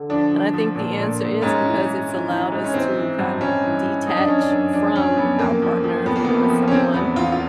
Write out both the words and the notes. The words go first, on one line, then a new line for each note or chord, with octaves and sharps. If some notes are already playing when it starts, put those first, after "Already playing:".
And I think the answer is because it's allowed us to kind of detach from our partner if we're with someone
Already playing: D3
F3 D4
F3
F3
A#2
A#2
A#2
G#2 C#4
E3
G#2
E3
E3
G#2
C#4
E3 C4
E3
G2
G2 C#4
E3
E3
F#2 D#4
D4
F#2 C#4
D4
F#2
F3 D4
F#2 C#4
F#2 B3
F2 A#3
F3
F3
F2 B3
A#3
C3 B3
F3
C#4
C3 C4
E2 B3
E2 F4
F4